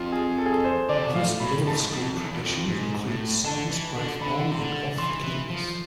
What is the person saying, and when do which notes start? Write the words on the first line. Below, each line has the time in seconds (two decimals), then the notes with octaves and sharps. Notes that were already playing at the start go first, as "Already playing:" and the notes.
This Middle School tradition includes service both on and off the campus.
Already playing: F2 F4
0.12 G#4
0.38 A4
0.46 G#4
0.53 A4
0.64 C5
0.89 D3 D5
0.98 C3
1.06 B2
1.14 A2 F5
1.40 A2 B5
1.66 G#2 A5
1.92 F2
2.17 E2
2.32 E2
2.43 F2
2.68 G#2
3.07 A2
3.44 D3 A5
3.71 E3
3.96 D3
4.21 D3 B5
4.51 C3
4.59 D3
4.98 E3 C6
5.24 E3
5.50 F3